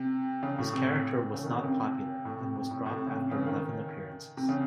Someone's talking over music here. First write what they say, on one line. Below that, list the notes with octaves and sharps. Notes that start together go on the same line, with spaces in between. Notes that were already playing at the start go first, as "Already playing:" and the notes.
His character was not popular, and was dropped after eleven appearances.
Already playing: C3
C#3
A2
C3
C#3
D#3
C#3
C3
A2
C3
C3
A2
A2
C3
C#3
C3
C#3
D#3
C3
C#3